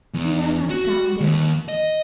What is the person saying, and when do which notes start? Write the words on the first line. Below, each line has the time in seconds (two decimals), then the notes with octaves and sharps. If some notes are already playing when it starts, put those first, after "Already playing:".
He was astounded.
0.14 E2
0.70 F#4
1.20 D#2
1.69 D#5